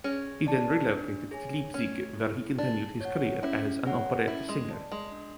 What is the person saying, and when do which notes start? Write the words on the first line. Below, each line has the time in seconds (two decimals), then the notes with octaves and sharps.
He then relocated to Leipzig where he continued his career as an operetta singer.
0.04 C#4 G#4
0.47 D5 A5
0.88 D4
1.31 G#4 C#5 G#5
1.74 A3 C#4
2.16 E4 A4
2.58 D4 G#4
3.01 C#5 F#5
3.43 C#4 E4
3.85 G#4 C#5 F#5
4.27 C#4 E4
4.49 G#3
4.70 G#4 D5 A5
4.92 G#3
5.12 D4